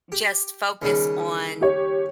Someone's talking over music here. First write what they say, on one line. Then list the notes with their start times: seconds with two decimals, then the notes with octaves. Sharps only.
just focus on
0.12 G4
0.82 D#2 C#3 G3
1.61 G4 C#5